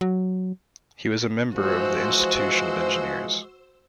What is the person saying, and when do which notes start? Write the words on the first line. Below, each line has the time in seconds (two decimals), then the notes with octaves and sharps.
He was a member of the Institution of Engineers.
0.01 F#3
1.55 E3 F3 G#3 F#4 C5 E6